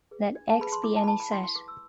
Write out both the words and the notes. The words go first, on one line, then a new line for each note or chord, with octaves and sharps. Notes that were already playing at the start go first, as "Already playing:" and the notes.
Let "X" be any set.
G#4 B4
D4
A5
G#4 B4 B5
C6
E4 D6
A5
B5
B4 A5
B5
E4 C6
C6
B4 D6
E6